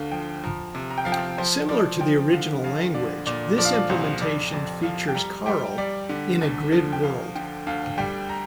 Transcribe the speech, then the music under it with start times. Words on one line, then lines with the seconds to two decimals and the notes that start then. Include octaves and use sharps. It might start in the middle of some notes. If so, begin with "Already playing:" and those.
Similar to the original language, this implementation features Karel in a grid world.
Already playing: D2 D3 F5
0.12 F3 G5
0.44 F3 A#5
0.75 C3
0.90 A#5
0.98 G5
1.05 F3 F5
1.12 G5
1.38 F3 C5
1.69 F3 D5
2.01 F3 G5
2.32 D3 F5
2.64 F2 F5
2.94 D3 D5
3.26 A#2 D5
3.58 F3 D5
3.65 F5
3.73 D5
3.89 C2 C5
4.20 F2 D5
4.52 F2 D5
4.83 F3 F5
5.09 G5
5.15 G3 A#5
5.46 G3 G5
5.78 G3 D5
6.09 D3
6.41 D2
6.72 F3
6.93 G5
7.03 D2 F5
7.35 D3 G5
7.67 D2 F5
7.98 G3 G5
8.29 A#5